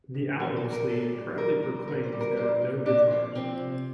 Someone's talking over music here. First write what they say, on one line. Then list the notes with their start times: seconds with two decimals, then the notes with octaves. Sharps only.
The album sleeve proudly proclaims There are no guitars.
0.14 A2
0.40 A#2 A#4
0.56 A4
0.64 A#2
0.72 A#4
0.89 A2 A4
1.14 G3
1.38 G3 A#4
1.62 G3
1.88 A#2 A#4
2.04 C5
2.12 G3
2.21 A#4
2.37 F3 D4
2.62 A#2
2.86 A#2 D4
3.11 F3
3.35 F3 C4
3.60 C3